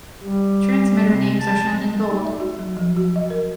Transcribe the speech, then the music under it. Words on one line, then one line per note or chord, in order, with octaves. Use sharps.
Transmitter names are shown in bold.
G3
C3
A5
D#4
E5
F#4
F#3
F3
F#4
D#5
A#4